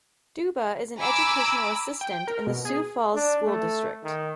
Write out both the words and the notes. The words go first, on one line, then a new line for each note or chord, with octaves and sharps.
Duba is an Educational Assistant in the Sioux Falls School District.
G#5 A#5 B5 D6 E6
G5
A#4
B2
G#4
D4
A3
D#3